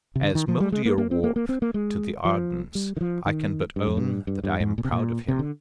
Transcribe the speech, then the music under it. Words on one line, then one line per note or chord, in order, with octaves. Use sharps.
"As Mouldierwarp to the Ardens I can but own that I am proud of him."
C3
D3
D#3
F3
G3
G#3
A#3
A#3
C4
A#3
A#3
C4
A#3
G#3
F3
G3
D#3
F3
D#3
G2
F2
G2
G2
G2
G#2
A#2
C3
A#2
C3
D3